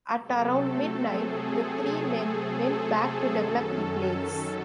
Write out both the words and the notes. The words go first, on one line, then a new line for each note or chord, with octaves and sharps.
At around midnight, the three men went back to develop the plates.
C3 F#3 A3 C4 A4
G#4
A4
F#2 D#3 F#3 C#4